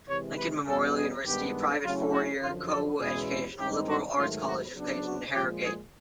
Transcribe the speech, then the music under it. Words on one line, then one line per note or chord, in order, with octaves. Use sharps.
Lincoln Memorial University, a private four-year co-educational liberal arts college, is located in Harrogate.
C3 E3 G#3 C#5
B4
E2 B2 G3 B3 A4
G#4
G2 D#3 G#3 B3 D4 G4
C#3 F#3 A3 C#4 E4 F4
F#4
F#2 D3 F3 F4
A4
E2 B2 G#3 C#4 E4 G#4
G2 D#3 G#3 C4 D#4 G4
F#4
G#2 D#3 F#3 A3 F4
F#4
C#3 F#3 B3 D4
F#4
A#2 F3 G#3 G4
G#4